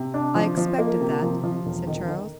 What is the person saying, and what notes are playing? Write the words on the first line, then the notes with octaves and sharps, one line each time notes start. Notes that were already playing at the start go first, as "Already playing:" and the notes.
"I expected that," said Charles.
Already playing: C3
D4
F3
F3
A#3
C3
F3
F3
E1
D#3
D#3